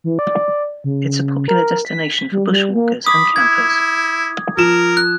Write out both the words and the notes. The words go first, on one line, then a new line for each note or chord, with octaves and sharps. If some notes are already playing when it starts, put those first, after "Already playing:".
It is a popular destination for bushwalkers and campers.
E3
D5
C#3
A#4
B6
G3
G3
A#3
B5 D6 D#6
E4 G#6
F3 A#4 E7
F#6